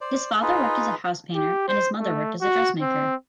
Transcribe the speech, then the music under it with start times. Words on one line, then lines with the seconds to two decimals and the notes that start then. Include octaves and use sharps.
His father worked as a house painter, and his mother worked as a dressmaker.
0.01 C5 D5
0.42 D#4 F4 G#4 B4
1.35 G4
1.68 C5
1.99 A3
2.41 F#4
2.81 C4